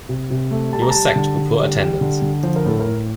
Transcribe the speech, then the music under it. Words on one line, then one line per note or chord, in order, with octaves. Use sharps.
He was sacked for poor attendance.
C3
C3
A3
G3 A5
A#5
G3 A5
D3
D3
G3
G3
D3
D3
F3 C5
A#4
A2 A4
A#4
A2